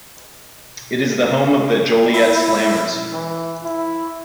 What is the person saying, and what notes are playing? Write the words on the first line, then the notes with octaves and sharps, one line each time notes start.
It is the home of the Joliet Slammers.
E4
E3
E4